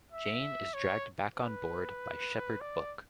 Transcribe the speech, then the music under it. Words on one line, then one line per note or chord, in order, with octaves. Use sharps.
Jayne is dragged back on board by Shepherd Book.
E5
C#5
B4
D5